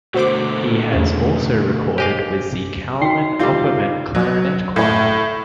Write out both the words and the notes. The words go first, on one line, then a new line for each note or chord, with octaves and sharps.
He has also recorded with the Kalmen Opperman Clarinet Choir.
B2 D3 A3 F#4 C5 D6
E2 C#3
G4 C5 D#5 F5 G#5 D6
D#4 F#4 G5 C7
D3 G3 C4 F4 G4
F#3
A2